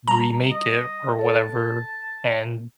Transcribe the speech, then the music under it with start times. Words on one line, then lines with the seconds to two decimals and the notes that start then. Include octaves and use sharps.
remake it or whatever, and
0.08 G3 A5 A#5
0.51 D#5
1.19 A4 C#5 A5